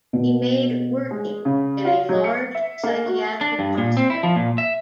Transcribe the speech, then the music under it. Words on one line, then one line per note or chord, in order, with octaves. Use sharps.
He made "Working" in a large psychiatric hospital.
B2
G#3
C#3
F4
F#3
C#7
E5
A#3
F#4
D4
G2
A#2
C4
E4
F3
A#2
E5